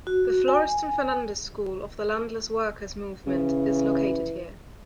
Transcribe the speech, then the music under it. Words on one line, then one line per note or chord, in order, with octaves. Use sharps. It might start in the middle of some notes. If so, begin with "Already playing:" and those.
The Florestan Fernandes School of the Landless Workers' Movement is located here.
F#4
G#5
C#3 E3